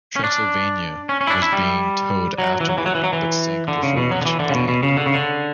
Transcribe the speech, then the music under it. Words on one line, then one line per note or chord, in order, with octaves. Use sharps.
"Transylvania" was being towed afterward but sank before reaching land.
C#4
D4
C#4
C#4
E4
D4
E4
G3
F#3
E3
F#3
E3
F#3
E3
F#3
E3
D3
C#3
B2
F#3
D3
E3
D3
C#3
B2
B2
C#3
D3
C#3
D3